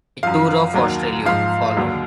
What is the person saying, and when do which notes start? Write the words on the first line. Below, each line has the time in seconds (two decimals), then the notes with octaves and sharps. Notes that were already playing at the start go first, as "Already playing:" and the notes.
A tour of Australia followed.
0.23 F#2 F3 F5
0.74 D#2 D#3 F#3
1.25 G#2 F3 F5
1.77 D#2 D3 F#3